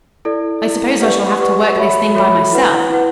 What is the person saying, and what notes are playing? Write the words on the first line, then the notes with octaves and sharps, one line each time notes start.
"I suppose I shall have to work this thing by myself."
E4 A4 D5
E4 A4 D5
G4 B4 D5 F#5 C#6
G4 B4 D5 F#5 C#6
F#4 A4 C#5 E5 B5
F#4 A4 C#5 E5 B5
E4 B4 F#5
E4 B4 F#5